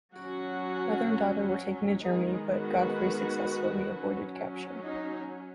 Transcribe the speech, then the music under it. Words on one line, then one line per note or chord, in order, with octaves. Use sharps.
Mother and daughter were taken to Germany, but Godfrey successfully avoided capture.
F#3 C#4 F#4
D#3 G#3 B3 D#4 G#4
F#4 B4
F#3 C#4
D#4